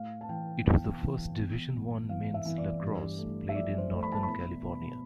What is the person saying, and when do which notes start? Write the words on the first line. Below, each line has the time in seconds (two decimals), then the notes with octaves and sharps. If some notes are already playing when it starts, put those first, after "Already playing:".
It was the first Division One men's lacrosse played in Northern California.
Already playing: A2 F5
0.21 A5
0.29 E3 G5
0.64 B1 G5
1.01 E3
1.37 B3
1.74 G1
2.09 E3 F5
2.34 E5
2.45 E3
2.58 D5
2.82 G2
3.18 A3
3.49 E5
3.54 F3 D5
3.78 C5
3.91 A3
4.03 B5
4.12 A5
4.23 B2 B5
4.63 B2